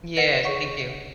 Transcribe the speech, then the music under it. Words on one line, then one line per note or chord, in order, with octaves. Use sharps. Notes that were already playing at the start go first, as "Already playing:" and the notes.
Yes. Thank you.
B4 D#5 F#5 A#6
G#4 C#5 F#5 C#6